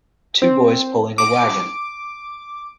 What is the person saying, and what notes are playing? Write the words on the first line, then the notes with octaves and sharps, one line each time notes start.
Two boys pulling a wagon.
C4
D6